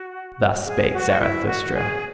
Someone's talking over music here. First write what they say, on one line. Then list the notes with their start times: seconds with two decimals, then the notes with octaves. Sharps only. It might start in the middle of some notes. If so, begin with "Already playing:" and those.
Thus spake Zarathustra.
Already playing: F#4
0.64 G#4
0.93 F#4
1.20 E4
1.47 F#4
1.74 G#4